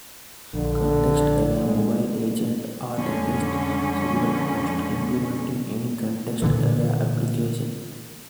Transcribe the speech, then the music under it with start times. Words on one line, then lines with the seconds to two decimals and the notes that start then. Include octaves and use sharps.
Context-aware mobile agents are a best suited host implementing any context-aware applications.
0.54 A#1 D3
1.69 G#3
2.93 F2 D3 G#3 C#4
6.42 A#2 D3 E3